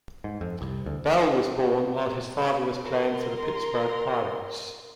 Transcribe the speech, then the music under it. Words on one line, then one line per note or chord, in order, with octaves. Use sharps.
Bell was born while his father was playing for the Pittsburgh Pirates.
G#2
F2
C2
D2
A#4 C6